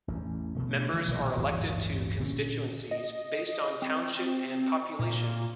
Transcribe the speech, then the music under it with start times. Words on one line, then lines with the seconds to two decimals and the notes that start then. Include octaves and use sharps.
Members are elected to constituencies based on township and population.
0.08 A1 E2
0.56 B2 A3
0.94 D#3 F3 G3
1.07 B1 A#2 D#3
1.36 D1 G1 G#2 E3
2.20 A#2 D3 A3 C#4
2.91 D#5
3.82 C4
4.99 A#2